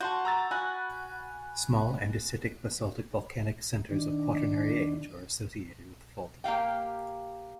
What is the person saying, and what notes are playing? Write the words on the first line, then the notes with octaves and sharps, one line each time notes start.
Small andesitic-basaltic volcanic centres of Quaternary age are associated with faulting.
F#4 A5 C6 G6
A#5 E6 A6
F#4 G#5 B5 F#6
D#3 D4
A#3 G4 F5 G5